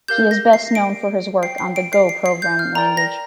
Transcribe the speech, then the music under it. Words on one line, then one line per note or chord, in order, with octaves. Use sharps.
He is best known for his work on the Go programming language.
G4 A#4 F5 G6
A#6
C7
D7
C5 G5 C7
C7
D7
C7
C7
C7
G6
F6
A#4 D5 G5 A#5
A#6